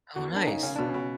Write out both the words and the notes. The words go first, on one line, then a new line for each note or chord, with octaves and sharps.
Oh, nice.
E2 F#4
A#3 D4
C#3 D#4
C#3 C#4
B2 D4
C#4
B2